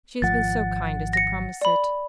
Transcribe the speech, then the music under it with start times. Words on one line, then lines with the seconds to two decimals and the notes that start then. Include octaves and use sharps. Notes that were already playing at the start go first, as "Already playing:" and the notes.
She has been so kind as to promise it.
0.22 G#1 F3 F#5 A6
1.13 A#6 C#7
1.62 D5 B5